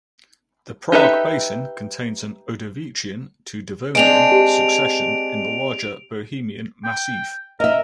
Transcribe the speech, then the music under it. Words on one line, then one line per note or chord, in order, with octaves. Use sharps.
The Prague Basin contains an Ordovician to Devonian succession in the larger Bohemian Massif.
D#4 G4 A4 B4 E5
G#3 C4 D4 D7 F7
G4
G5
A#4 D#5 E5